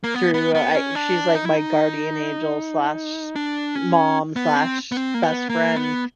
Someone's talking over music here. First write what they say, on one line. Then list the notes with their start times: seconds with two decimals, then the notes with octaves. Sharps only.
through I she's, like, my guardian angel/mom/best friend
0.04 A#3
0.14 B3
0.34 B3
0.55 B3
0.75 C#4
0.95 D4
1.35 D#4
1.45 E4
1.56 D#4
3.36 D4
3.75 C#4
4.36 B3
4.56 C4
4.92 B3
4.97 C4
5.14 A#3
5.23 B3
5.49 A#3
5.76 B3